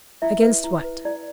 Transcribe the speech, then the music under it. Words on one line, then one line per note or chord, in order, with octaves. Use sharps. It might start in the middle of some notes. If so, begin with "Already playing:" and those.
"Against what?"
E4 E5
B4
E4
B4
E4 D5